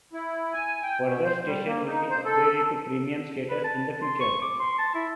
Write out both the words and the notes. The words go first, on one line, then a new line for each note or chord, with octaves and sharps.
Further stations will be upgraded to premium status in the future.
E4
G#5
G5
B2
C5
G3
A#3
D#4
C5
A4
B4
A5
C6
C#6
D6
C6
A5
E4